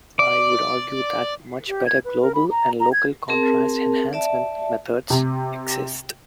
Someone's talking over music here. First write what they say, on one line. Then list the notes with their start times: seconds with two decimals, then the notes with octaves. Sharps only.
I would argue that much better global and local contrast enhancement methods exist.
0.19 D5 D6
1.68 G4
1.86 G#6
2.05 B4
2.22 A#4
2.35 B5
2.50 A#5
2.80 A#5
2.93 G#6
3.28 C4 G#4 A#4 A5
4.13 D5 E5 A5
5.10 C3